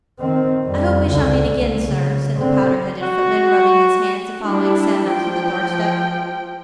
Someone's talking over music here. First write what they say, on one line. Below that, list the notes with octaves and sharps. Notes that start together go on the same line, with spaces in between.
'I hope we shall meet again, Sir,' said the powdered-headed footman, rubbing his hands, and following Sam out to the door-step.
D#3 C4
F2 G3
C#2 D3
C2
C#3
D3 C4
F#4
G3 D4 E4
F3 G5